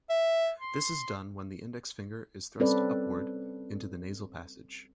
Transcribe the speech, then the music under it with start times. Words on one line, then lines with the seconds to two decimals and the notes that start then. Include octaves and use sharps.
This is done when the index finger is thrust upward into the nasal passage.
0.10 E5
0.60 C6
2.60 G3 C4 C#4 A4 B4 D5